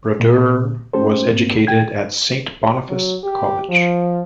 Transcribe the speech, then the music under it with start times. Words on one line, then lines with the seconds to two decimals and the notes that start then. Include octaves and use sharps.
Brodeur was educated at Saint Boniface College.
0.20 A#2
0.93 A3 C#4 G4 A4 C5
1.31 G#2 A#3 C4
1.67 A#2 G5 G#6
2.89 F#3
3.24 G4
3.69 F3